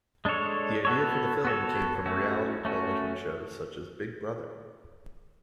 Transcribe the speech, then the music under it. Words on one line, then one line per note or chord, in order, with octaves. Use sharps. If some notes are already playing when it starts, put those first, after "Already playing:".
The idea for the film came from reality television shows such as "Big Brother".
G#3 D4 A4 C#5
B3 F#4 A4 C#5
B3 F#4 A4 C#5
A3 C#4 F#4
A3 C#4 F#4